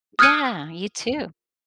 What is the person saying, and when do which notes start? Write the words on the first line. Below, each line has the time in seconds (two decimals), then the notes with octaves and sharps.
Yeah, you too.
0.19 D#6 F6 F#6 G#6 C#7 D#7